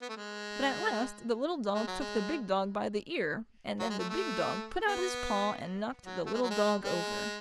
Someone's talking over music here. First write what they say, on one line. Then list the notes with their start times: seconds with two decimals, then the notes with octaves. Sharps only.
But at last the little dog took the big dog by the ear, and then the big dog put out his paw and knocked the little dog over.
0.02 B3
0.09 A3
0.17 G#3
1.74 G#3
1.87 F#3
2.00 G#3
3.80 F#3
3.90 G#3
3.99 A3
4.09 A3
4.88 B3
6.05 F#3
6.26 A3
6.34 G#3
6.42 F#3
6.50 G#3
6.84 G#3